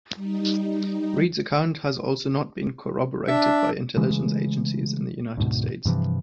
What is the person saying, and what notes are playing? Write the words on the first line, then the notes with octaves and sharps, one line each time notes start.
Reed's account has also not been corroborated by intelligence agencies in the United States.
G3 D#4
D4 E5
C#3 E3 G#3 A3
D2 G#2 B2
G2 C3 E3 F3